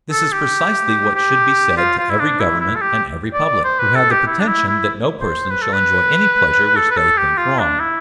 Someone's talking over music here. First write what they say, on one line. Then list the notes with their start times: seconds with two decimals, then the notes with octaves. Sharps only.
This is precisely what should be said to every government and every public, who have the pretension that no person shall enjoy any pleasure which they think wrong.
0.12 A4
0.32 G4
1.15 G4
1.77 F4
1.98 F4
2.10 E4
2.19 D4
2.40 E4
2.61 E4
2.76 A4
2.81 G4
3.33 D5
3.64 C5
3.80 B4
3.95 A4
4.11 G4
4.27 E4
4.39 D4
4.48 E4
4.68 E4
5.20 C5
5.51 B4
5.62 A4
5.73 B4
6.76 A4
6.91 B4
6.97 A4
7.17 G4
7.38 F4
7.59 D4
7.80 E4